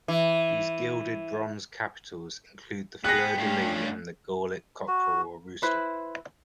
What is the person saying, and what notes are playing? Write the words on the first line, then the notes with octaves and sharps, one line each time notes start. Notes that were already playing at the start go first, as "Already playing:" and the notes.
These gilded bronze capitals include the fleur-de-lys and the Gallic cockerel or rooster.
E3
B3 G#4 G5 F#6 A#6
G2 A3 C#4
F#4
E4 B4 C5